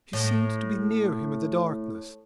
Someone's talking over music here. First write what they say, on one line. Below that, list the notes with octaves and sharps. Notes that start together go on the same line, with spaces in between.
She seemed to be near him in the darkness.
A2